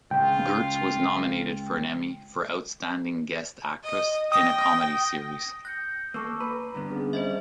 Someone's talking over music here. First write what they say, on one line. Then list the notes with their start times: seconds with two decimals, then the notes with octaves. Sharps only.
Gertz was nominated for an Emmy for Outstanding Guest Actress in a Comedy Series.
0.11 C#2 C#3 F4 G5
3.84 D#5
4.32 G5 D#6 A#6
5.65 F#6 G6 A#6 C#7
6.14 A#3 A4 C#6 D6 E6
6.40 B4 A#5
6.74 G2 D3 B3
6.90 C4 C#4 G#4
7.13 G2 C5 D#5 E5